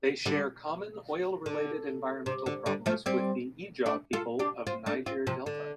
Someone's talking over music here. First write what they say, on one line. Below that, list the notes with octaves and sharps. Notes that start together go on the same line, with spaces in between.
They share common oil-related environmental problems with the Ijaw people of Niger Delta.
D3 G3
D3
C3
D3
D3 G3
F3 A3
G3 C4
A3 D4
F4 A4
D4 G4
C4 F4
A3 D4
C4 F4
C3 F3
D3